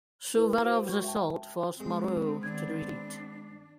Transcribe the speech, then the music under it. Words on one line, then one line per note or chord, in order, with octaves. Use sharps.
Suvarov's assault forced Moreau to retreat.
E4 A#4 B4
F#4 C5 F5
G#3 F#4 C#6
E5 G5 A5
G#3 B3 C4
D#3 D4 G#6